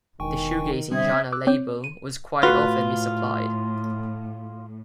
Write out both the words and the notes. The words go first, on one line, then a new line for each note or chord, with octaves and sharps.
The shoegazing genre label was quite often misapplied.
E1 D#3 G5 G#5 C#6
D3 G3 C4 D4 E5 D#6 G#6
D6 E6 F#6
C4 C#5 D6 G6
D#7
A2 F4 F#4 B4